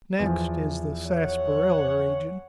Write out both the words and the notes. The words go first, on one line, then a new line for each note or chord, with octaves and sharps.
Next is the sassparilla region.
E2 F3
C#5 F#5